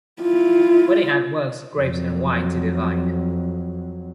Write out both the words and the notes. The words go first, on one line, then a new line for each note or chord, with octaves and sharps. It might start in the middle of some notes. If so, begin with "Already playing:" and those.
When the ant works, grapes and wine to the vine.
E4 F4
F2 F#3